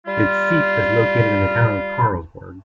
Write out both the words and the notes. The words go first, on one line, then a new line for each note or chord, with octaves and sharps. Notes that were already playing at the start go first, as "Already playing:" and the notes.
Its seat is located in the town of Karlsborg.
G3 F4